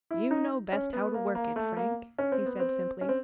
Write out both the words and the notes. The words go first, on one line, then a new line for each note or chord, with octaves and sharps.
"You know best how to work it, Frank," he said simply.
E4
D#4
C#4
B3
A#3
A#3
A3
A#3
C#4
C4
B3
C4
C#4
C4